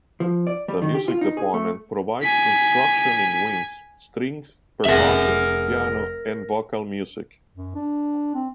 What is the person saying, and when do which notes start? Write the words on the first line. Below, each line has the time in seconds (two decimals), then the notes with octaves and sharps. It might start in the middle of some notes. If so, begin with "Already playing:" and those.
The music department provides instruction in winds, strings, percussion, piano and vocal music.
0.20 F3
0.47 D5
0.68 G3
0.82 D#3
0.94 G4
1.08 F4
1.21 D#4
1.37 G#4
1.54 A3
2.22 G#5 B6
4.85 F1 G#4 A#4 E5 F#5
7.55 F#2
7.75 D4
8.35 C4